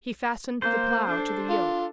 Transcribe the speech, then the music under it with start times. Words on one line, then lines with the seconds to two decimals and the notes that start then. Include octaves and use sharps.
He fastened the plow to the yoke.
0.62 A#3 C5
1.09 D4 A4
1.49 F4